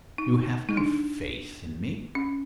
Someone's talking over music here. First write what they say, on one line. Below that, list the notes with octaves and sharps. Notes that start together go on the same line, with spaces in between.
"You have no faith in me?"
D#4
D#4
D4
C#4